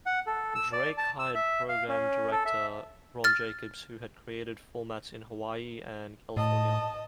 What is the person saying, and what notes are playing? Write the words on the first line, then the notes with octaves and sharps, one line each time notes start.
Drake hired program director Ron Jacobs, who had created formats in Hawaii and California.
F#5
A4
E6
D5
A5
E6
E5
F5
C#4
A4
E5
F6 A6
A2 D#5 A5